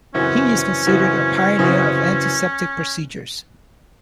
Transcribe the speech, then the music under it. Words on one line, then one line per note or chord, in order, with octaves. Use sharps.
He is considered a pioneer of antiseptic procedures.
F#2 C#3 E3 C4 C#4 F#4
F#2 C#3 E3 C4 F#4
F#2 C#3 E3 C4 F#4